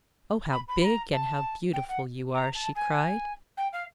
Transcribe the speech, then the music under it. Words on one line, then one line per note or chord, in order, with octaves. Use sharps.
'Oh, how big and how beautiful you are!' she cried.
B5
B5
B5
A#5
A5
G5
F#5
A#5
A5
G#5
G5
F5